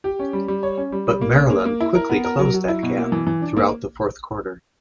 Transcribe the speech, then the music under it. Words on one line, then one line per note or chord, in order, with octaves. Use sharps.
But Maryland quickly closed that gap throughout the fourth quarter.
G4
C#4
G3
G3
C#5
C#4
G3
G3
A#3
C#4
A#3
A#3
E4
A#4
B3
A#4
F#3
F#3
E4
B2
A#3
E3
E3
D4
A#3